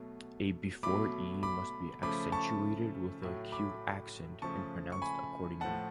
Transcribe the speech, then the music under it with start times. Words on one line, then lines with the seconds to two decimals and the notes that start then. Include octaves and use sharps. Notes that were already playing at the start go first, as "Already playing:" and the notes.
A before e must be accentuated with the acute accent, and pronounced accordingly.
Already playing: B2 F#3 A3
0.83 B2 F#3 A3 B5 D6
1.43 B5 D6
2.02 C#3 F3 A3 B5 D6
2.32 A5 C#6
3.22 A2 F#3 A3
3.52 B5 D6
4.42 C#3 F3 A3 A5 C#6
4.92 C#6
5.02 G#5 B5
5.61 A2 F3 A3 F#5 A5